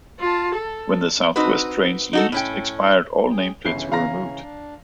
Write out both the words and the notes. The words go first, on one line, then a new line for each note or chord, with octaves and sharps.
When the South West Trains lease expired all nameplates were removed.
F4 A5
A4
C4 D#4 F#4 B4
D#4 F#4 A4
A2 C#4 G5
G#4 G5
G1 C#3 E3 C#4 C7
F5 A#5 A#6
D4